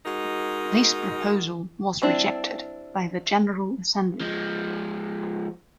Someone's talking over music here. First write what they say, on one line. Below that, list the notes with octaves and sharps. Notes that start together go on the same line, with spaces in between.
This proposal was rejected by the General Assembly.
G#3 D#4 F#4 A#4
G3 C4 D4 E4
F3 G#3